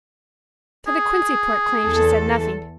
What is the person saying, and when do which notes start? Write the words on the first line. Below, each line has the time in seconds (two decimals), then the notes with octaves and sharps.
To the Quincy-port claim she said nothing.
0.88 G#4
1.83 E2 A4